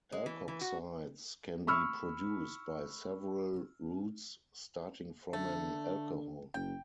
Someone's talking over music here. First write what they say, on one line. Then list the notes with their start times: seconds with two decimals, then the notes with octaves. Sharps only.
Alkoxides can be produced by several routes starting from an alcohol.
0.12 G#3
0.26 E3
0.48 E3
0.61 F#4
1.67 B5 C#6 E6 F6
5.33 D3 A3
6.54 F#1 G5